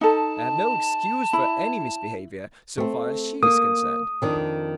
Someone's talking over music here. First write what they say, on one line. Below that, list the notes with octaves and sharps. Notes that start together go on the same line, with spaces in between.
I have no excuse for any misbehaviour--so far as she is concerned.
D#4 A4 A5
E4 B5
A3 C4
A#3 D#6
F2 D#3 D4